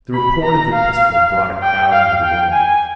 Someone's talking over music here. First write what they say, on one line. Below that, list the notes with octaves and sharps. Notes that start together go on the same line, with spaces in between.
The report of the pistol brought a crowd into the room.
B5
A#5
F5
G5
F5
G5
G#5